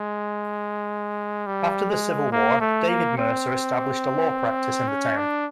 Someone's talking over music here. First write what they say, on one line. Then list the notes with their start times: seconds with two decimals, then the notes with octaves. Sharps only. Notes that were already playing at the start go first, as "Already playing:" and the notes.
After the Civil War David Mercer established a law practice in the town.
Already playing: G#3
1.47 G3
1.90 G#3
2.32 A#3
2.60 A3
2.89 A#3
3.18 C4
4.88 C#4
5.17 D4